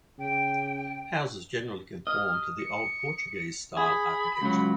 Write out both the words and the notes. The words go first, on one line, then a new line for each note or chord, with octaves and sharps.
Houses generally conform to the old-Portuguese style architecture.
C#3 G5
D#5 F6
C#7
G#4 B5
C#2 F#3